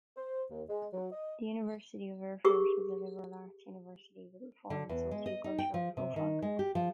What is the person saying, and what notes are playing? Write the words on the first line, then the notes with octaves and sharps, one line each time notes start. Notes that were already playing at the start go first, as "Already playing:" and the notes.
The University of Erfurt is a liberal arts university with reform and socio-cultural profile.
C5
D#2
G#3
F#3
D#5
G4 G#4 A#4 C#6
D3
E2
G#3
D#5
D#4
G5
F3
C3
D#3
G#3
G4
F3